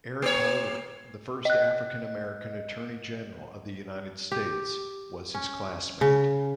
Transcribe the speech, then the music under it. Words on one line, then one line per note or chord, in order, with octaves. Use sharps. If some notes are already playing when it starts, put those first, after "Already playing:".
Eric Holder, the first African-American Attorney General of the United States, was his classmate.
A#3 C#5
D#5 F#6
G4
C#4
C#3